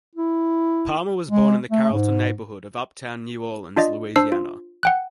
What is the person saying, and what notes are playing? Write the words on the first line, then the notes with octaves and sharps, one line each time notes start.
Palmer was born in the Carrollton neighborhood of uptown New Orleans, Louisiana.
E4
G#3
A3
G#2
D4 F4 D5 D#5
D4 C5 E6 C7
F4
F#5 G5 F#6